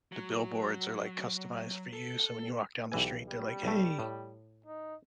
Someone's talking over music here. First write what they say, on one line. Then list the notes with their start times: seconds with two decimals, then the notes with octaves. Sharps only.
the billboards are, like, customized for you, so when you walk down the street, they're like, 'Hey,
0.12 F#3
1.93 A4
2.92 B1 E3 G4 G#5
3.28 G3
3.63 B1 A3
3.99 A2
4.66 D#4